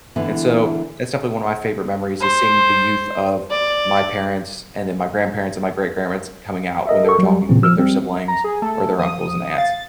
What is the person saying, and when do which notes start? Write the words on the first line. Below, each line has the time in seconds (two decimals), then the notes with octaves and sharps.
And so that's definitely one of my favorite memories is seeing the youth of my parents, and then my grandparents and my great-grandparents coming out when they were talking with their siblings or their uncles and aunts.
0.16 D3 E3 B3
2.21 C5
3.50 D5
6.87 A#4 D#5 E5
7.04 A4 A#4 C#6
7.19 F#3 G3
7.49 A#2 C#3 E3 C4
7.62 F3 E6 F6
7.77 G3 C4
8.28 A#5
8.44 G#4
8.62 A3 A4
8.99 F3 D#6
9.58 F5 A6